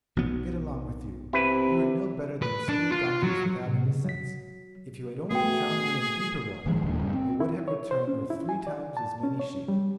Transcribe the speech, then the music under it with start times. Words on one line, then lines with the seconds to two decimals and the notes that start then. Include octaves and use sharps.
'Get along with you--you are no better than silly donkeys without any sense; if you had only drowned me in deeper water I would have returned with three times as many sheep.'
0.16 B1 F#3 B3
1.33 C3 E4 B4
2.42 B4
2.69 D4
2.92 F4
3.23 F#3
3.66 A2 C3
3.86 C#3
4.05 F#3 B6
5.31 A3 B3 F#4 G#4 G5
6.66 F#1 D#3 F3 G#3
6.82 D#1 D#2 A#2 D3
7.00 G2 C#3
7.13 C4
7.40 E4
7.68 C#5
7.91 C5
8.08 C#4
8.30 E4
8.49 G#5
8.67 D5
8.97 A5
9.23 C#4
9.39 C#5
9.68 G3